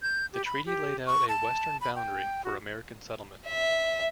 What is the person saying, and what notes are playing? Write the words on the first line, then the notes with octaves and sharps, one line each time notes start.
The treaty laid out a western boundary for American settlement.
G6
G4
B5
G4
C#6
A5
B5
G5
F#4
E5